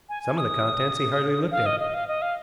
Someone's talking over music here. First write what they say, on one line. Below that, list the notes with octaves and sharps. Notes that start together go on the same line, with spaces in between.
Some of the contents he hardly looked at.
G#5
G#5
D#6
F5
D#5
D#5
F5
D#5
F5